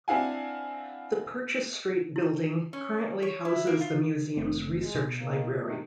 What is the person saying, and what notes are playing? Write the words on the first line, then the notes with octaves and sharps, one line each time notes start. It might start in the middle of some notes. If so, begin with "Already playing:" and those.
The Purchase Street Building currently houses the museum's Research Library.
C4 D4 E4 F5 F#5 G#5
E4
C#4
C#5
E4
A#3
F4
F#1 A3 C4
G#3
B2
D#3 A#3
C3 D#3 A3